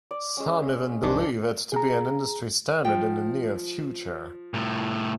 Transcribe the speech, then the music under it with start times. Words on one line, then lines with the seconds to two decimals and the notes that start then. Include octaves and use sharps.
Some even believe it to be an industry standard in the near future.
0.11 D5
0.37 G#3 C#4
1.03 B1 G2 D#3 D4 C5
1.72 G#4 A#5
2.85 F3 G5
4.54 C2 A2